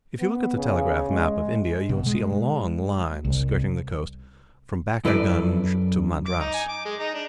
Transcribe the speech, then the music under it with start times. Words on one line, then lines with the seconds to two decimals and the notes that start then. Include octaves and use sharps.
If you look at the telegraph-map of India you will see a long line skirting the coast from Backergunge to Madras.
0.20 B3
0.56 C#3
1.11 G#3
1.89 B2
2.06 G#3
3.25 C2
5.05 F#2 E4 A4 B4 D5
6.27 D6
6.40 D#4
6.54 G#5
6.69 D6
6.85 G#3
7.00 D#4
7.15 D4